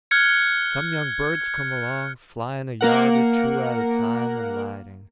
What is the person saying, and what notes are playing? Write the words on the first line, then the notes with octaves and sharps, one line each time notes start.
Some young birds come along, flying a yard or two at a time and lighting.
F6 F#6 G#6 C#7
A#3 A#4 F#5